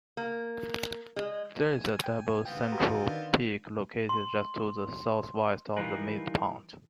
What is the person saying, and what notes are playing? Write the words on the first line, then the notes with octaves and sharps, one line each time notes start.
There is a double central peak located just to the southwest of the midpoint.
A#3
G#3
G#5
G5
B3 C4 F4 G5
F#4 G4 A#5
D#3 D4
C6
E3 G3 D#4 F4 A#4 B4